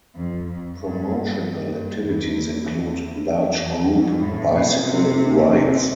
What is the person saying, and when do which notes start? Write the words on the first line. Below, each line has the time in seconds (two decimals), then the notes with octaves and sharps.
Promotional activities include large group bicycle rides.
0.15 F2
0.48 F2
0.79 G2
1.71 G2
2.03 E2
2.66 E2
3.28 F2
3.59 E2
3.90 F2
4.21 A2
4.52 B2
4.83 C3
5.47 C3